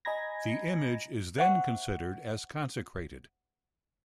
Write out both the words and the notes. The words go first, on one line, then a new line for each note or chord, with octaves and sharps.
The image is then considered as consecrated.
D#5 G#5 A#5 B5 G#6 A#6
C5 E5 F#5 C#6